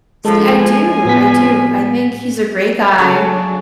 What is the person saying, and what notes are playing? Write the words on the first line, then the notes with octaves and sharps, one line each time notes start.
See, I do, I do. I think he's a great guy
F3 G#3 A4
F3 G#5
A2 B3 B6
C#3 F#3 D4 A4 G#5